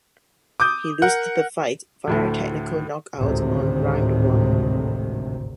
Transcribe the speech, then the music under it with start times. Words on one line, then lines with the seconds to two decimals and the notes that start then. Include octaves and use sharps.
He lost the fight via technical knockout on round one.
0.60 D6 D#6 G6
1.02 A#4 F#5
2.07 D2 A2 A4
3.18 G#1 D2 A2 C3 D#3